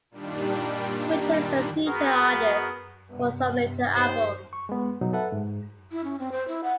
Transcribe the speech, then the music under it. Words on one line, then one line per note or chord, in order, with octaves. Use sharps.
He returned as a featured artist for some later albums.
A#2 D#3 G3 D4
B3 F#4 G#4 A#4
G2 C3 B3
D#2 C5
C#6
G#3 B3
B2 F#3 D#4
A4 B4 E5 F#5 A5
G#2
E4
C#4
C4
C5
E4
F#5